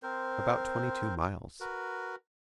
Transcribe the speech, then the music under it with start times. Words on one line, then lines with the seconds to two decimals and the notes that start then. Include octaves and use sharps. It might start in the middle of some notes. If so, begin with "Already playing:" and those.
'About twenty-two miles.
0.03 C4 A#4 C5
1.60 F#4 A#4 B4